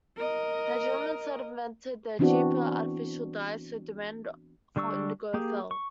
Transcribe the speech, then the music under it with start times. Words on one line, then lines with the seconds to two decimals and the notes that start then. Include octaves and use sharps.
The Germans had invented a cheaper artificial dye so the demand for indigo fell.
0.17 A#4 D#5
2.19 E3 B3 C4 D4 F#4
4.76 D3 G3 D4 C#6 E6
5.34 A#3 G4 G#4
5.71 C#6